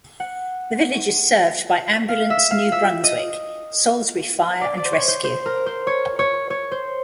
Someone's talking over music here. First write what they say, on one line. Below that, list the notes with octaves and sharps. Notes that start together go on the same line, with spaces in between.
The village is served by Ambulance New Brunswick, Salisbury Fire and Rescue.
F#5
F5
E5
F5
E5
D#5
D5
D5
C5
C#5
C5
C5
A#4
C5
C#5
C#5
C#5
C5